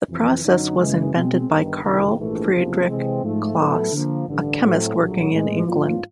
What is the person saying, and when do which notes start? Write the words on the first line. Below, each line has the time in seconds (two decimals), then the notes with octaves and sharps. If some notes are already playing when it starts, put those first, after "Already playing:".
The process was invented by Carl Friedrich Claus, a chemist working in England.
0.08 F2 C3 E3
0.43 F#2 D3 F#3 B3 D#4
0.78 F#2 C#3 E3 G#3
1.13 B2 G#3 C4
1.49 G1 G2 D#3
1.83 F#1 F2 C3 D#3
2.19 A#1 G#2 E3 A3
2.52 F#1 E2 C3 F3
2.87 C3 E3 G#3 C4
3.22 G#2 F3 A3
3.57 A2 F#3 B3 E4 A4
3.92 D3 F3 A#3
4.27 A1 G2 D3
4.62 A2 F#3 A3 C4
4.97 A#1 A2 F#3 A3
5.31 A2 E3 G#3 C4
5.67 G#2 F3 A#3 D4 F4